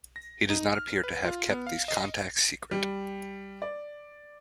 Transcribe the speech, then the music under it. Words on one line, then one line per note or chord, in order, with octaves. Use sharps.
He does not appear to have kept these contacts secret.
A#6
D#4
F6
B4
F4
B3
F5
D#5
G3
D5